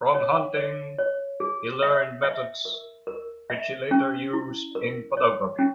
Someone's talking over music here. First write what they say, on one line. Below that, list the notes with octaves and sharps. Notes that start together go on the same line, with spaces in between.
From hunting, he learned methods which he later used in photography.
C#5
C#5
C#5
G#4
E5
E5
A#4
A#4
E5
C#4
E4
A#4
C#5
C#4